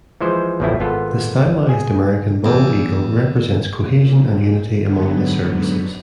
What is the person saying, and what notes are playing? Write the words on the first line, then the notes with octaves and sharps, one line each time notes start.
The stylized American bald eagle represents cohesion and unity among the services.
E3 F3 G#3 C5
A1 E2 B2 F3 A3 E4
G#1 B3 F4 A4
G#4 G#5
E2
A#2
G#2 D3 F#3 B3